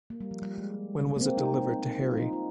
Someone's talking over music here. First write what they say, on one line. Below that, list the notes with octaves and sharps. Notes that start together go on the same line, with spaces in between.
When was it delivered to Harry?
A#3
G3
F3
G3
G#3
A#3
C4
D#4
F4
D#4
F4